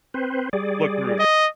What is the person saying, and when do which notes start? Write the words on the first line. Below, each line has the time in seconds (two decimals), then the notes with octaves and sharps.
look through it?
0.14 C4 B4 C5
0.53 G3 G#4 D5
1.19 D#5